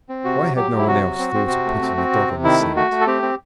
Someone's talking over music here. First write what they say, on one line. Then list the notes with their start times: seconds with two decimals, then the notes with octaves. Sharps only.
Why had no one else thought of putting the dog on the scent?
0.09 C4
0.24 C3 F#4
0.41 F#3
0.56 F#3 G4
0.71 F#3
0.78 E4
0.88 C3 F#4
1.03 F#3
1.19 C4
1.34 C4
1.50 C3
1.66 A3
1.82 C4
1.97 C4
2.13 C3
2.28 C3
2.44 D#3 E4
2.60 A3
2.76 A3 F#4
2.91 A3
3.01 A4
3.07 C4 G4
3.22 C4